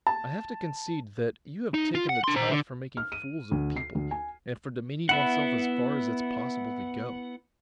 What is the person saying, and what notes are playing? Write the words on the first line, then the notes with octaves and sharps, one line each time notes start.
I have to concede that you have taken the talent for making fools of people and for demeaning oneself as far as it's possible to go.
A5
D#4
F4
F#5
D4 C6
C5 A#5
D3
F6
D#7
D2
C7
D2
G#5
B3 E4 F#5